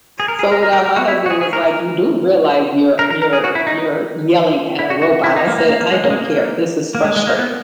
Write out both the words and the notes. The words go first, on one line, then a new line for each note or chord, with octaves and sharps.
so would I. My husband was like, "You do realize you're you're you're yelling at a robot." I said, "I don't care. This is frustrating."
G#4
A#4
G#4
A#4
A#4
A#4
A#4
F#4
E4
F#4
G#4
G#4
A#4
A#4
A#4
A#4
A#4
G#4
F#4
E4
D#4
D#4
E4
F#4
F#4
E4
D#4
A#3
A#3
A#3
A#3
G#3
A#3
G#3
A#3
A#3
G#3
G#3
A#3
B3